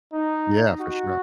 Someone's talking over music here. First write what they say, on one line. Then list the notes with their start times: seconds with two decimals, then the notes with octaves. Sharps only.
Yeah, for sure.
0.13 D#4
0.80 F#4